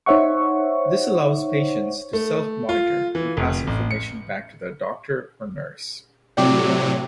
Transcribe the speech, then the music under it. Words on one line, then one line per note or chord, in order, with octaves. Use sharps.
This allows patients to self-monitor and pass information back to their doctor or nurse.
D#4 C5 C#5 E5 F#5 C#6
A3
F4
E3
F1
A1
C#7
A2 C3 F#3 D5 G5 D6